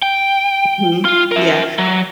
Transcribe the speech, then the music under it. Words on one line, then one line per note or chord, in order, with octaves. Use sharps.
Mhm, yeah.
G5
F4
A#4 E5
F#3